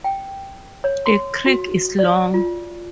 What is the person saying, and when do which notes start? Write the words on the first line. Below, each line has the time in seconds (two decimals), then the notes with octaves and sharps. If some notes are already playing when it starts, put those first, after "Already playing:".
The creek is long.
0.04 G5
0.84 C#5
1.06 C6
1.46 F#4
1.99 D5
2.34 F4